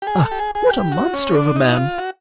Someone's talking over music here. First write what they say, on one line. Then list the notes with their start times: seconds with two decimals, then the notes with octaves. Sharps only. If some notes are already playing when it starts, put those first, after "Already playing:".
Ah! what a monster of a man!
0.02 G4
0.07 G#4
0.23 A4
0.31 G4
0.39 G#4
0.55 G#4
0.71 G4
0.92 F#4
1.14 C#4
1.34 D4
1.56 D#4
1.68 E4
1.77 F4
1.98 F#4